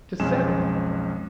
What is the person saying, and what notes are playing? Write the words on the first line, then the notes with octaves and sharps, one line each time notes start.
To seventy!
B1 F2 G#3 C#4 E7